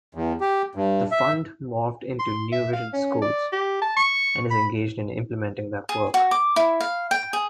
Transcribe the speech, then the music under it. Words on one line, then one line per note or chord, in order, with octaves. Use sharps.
The Fund morphed into New Visions Schools and is engaged in implementing that work.
E2
G4
G2
E5
C6
E5
F5
C#4
D5
G4
A5
C#6
B5
G#4
F#4
D6
E4
F5
G5
G#4